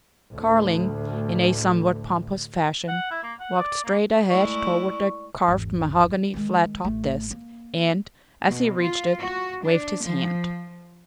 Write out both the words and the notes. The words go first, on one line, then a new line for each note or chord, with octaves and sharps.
Carling, in a somewhat pompous fashion, walked straight ahead toward the carved-mahogany flat-topped desk, and, as he reached it, waved his hand.
D2 A2
F#5
E4
A#3
F#5
D5
A#3
G#3 A3 E4 D5 C#6
G#1 E2
D#3 G#3
A1 A3
A#3
B2
F4
F#4
D4
F3